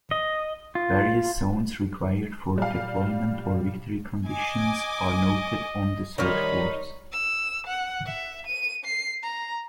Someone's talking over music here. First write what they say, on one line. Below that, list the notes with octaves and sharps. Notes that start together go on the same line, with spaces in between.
Various zones required for deployment or victory conditions are noted on the search boards.
D#5
F4
A#2 G3 F5
D#5 G#5 D6
D#3 G3 D#4 C#5 F5 B5 C6
E6
F#5
E5
D#7
C7
A#5